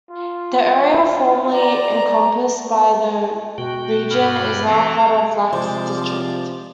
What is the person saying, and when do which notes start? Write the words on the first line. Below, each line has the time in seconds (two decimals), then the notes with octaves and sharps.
The area formerly encompassed by the region is now part of Lacs District.
0.10 F4
1.52 D5 A#5
3.58 B2 F#4 G5
4.10 G2 B5 F6
4.67 E3 C4 A4 F5 A#5
5.53 C3 F3 G#3 C5 D5